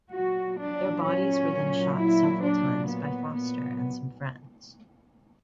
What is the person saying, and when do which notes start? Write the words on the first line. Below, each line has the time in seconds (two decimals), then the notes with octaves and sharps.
Their bodies were then shot several times by Foster and some friends.
0.12 A#2 F#3 F#4
0.58 D4
1.04 C#4
1.96 E4
2.42 D4
2.88 B3
3.34 B3